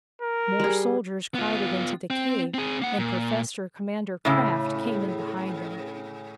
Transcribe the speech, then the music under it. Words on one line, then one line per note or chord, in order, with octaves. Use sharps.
More soldiers crowded into the cave, and Professor-Commander Krafft came in behind them.
A#4
G3 G#4
B3 F4
C4
C4 G#4
A#3 F#5
A#2
A2 C#3